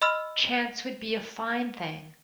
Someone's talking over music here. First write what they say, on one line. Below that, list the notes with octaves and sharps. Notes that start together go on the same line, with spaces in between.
Chance would be a fine thing!
D#5 B5 C6 E6 F6